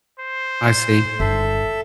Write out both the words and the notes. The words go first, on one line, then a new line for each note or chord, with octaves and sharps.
I see.
C5
G1 A4 E5